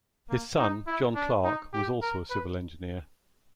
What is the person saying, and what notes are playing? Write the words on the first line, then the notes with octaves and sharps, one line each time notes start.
His son, John Clarke was also a civil engineer.
A#3
D#4
E4
D4
D#4
G4
A#4
B4